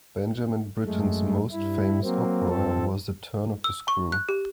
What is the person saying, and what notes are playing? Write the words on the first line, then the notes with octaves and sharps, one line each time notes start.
Benjamin Britten's most famous opera was The Turn of the Screw.
F#2 G#3 A3
G2 E4
F#3 A#3 C4
F2 F3 C4 A4
E6
C#6
F#6
G4